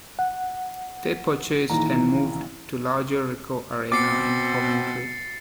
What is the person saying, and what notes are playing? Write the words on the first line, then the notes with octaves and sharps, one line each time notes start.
They purchased and moved to the larger Ricoh Arena in Coventry.
F#5
A#1 D#3 E3 A#5
B2 C4 D6 A6 C7 C#7